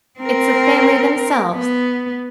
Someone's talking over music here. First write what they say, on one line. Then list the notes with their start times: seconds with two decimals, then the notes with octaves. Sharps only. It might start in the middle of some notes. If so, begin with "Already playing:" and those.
It's the family themselves.
0.20 C4 A#4
1.54 B3